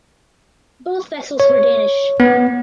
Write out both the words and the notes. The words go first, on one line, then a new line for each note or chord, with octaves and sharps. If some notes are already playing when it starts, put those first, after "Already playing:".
Both vessels were Danish.
C#5
B3